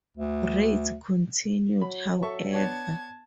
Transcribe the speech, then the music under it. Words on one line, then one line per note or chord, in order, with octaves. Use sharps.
Raids continued, however.
D2
F#3 B5
A4 E5 C#6
B3 D4 C#5 A5 G#6